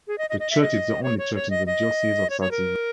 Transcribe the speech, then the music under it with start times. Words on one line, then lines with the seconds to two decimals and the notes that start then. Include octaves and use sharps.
The Church is the only church in the Diocese of Salisbury.
0.08 G#4
0.18 D#5
0.30 D#5
0.40 D#5
0.51 E5
0.61 D#5
1.03 C#5
1.19 C#5
1.35 C#5
1.50 D#5
1.67 D#5
2.30 C#5
2.41 C#5
2.51 A#4